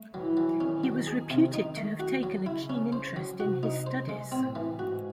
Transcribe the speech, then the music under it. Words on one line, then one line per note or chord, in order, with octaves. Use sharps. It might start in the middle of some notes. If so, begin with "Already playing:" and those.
He was reputed to have taken a keen interest in his studies.
Already playing: A3
E3 F#3
F#3
D#3 C#4
F#3
D#3 G#4
C3
D#4
A3
F#4
F#3
C#3 E4
C#4
C5
F#3
C3 F#4
D#4
C5
G#3
A2 C4
E3
G#2 F#4